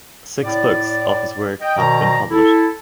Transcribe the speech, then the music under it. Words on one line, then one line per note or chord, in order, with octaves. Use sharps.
Six books of his work have been published.
A2 D5
D#5 G5
B2 D#3 F3 D5 A#5
E4 A4